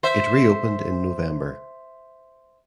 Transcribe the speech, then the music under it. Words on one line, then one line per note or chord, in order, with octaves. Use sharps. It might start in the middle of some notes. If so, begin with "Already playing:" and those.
It reopened in November.
C5 E5